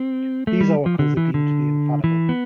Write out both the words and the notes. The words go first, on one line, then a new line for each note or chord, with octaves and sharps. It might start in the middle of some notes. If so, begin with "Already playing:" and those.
These oracles are deemed to be infallible.
Already playing: C4
A3
G3
F3
D3
E3
D3
E3
B3